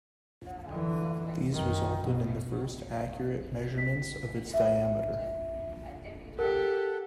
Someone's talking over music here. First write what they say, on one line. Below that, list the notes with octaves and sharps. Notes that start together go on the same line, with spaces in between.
These resulted in the first accurate measurements of its diameter.
D3 E3
F#2 D#3
B2
B6
E5
G4 A4 A#4 F#5